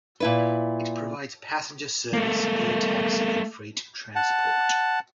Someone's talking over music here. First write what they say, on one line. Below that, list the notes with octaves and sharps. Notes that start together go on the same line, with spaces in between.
It provides passenger service, air taxi, and freight transport.
A#2 E4 B4
A3 A#3
F#5 A5